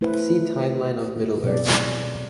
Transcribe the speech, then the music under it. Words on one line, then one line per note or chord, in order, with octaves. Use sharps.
See Timeline of Middle-earth.
A3 E4 B4 C5
B2 F#3 C4 G#4 A4 D5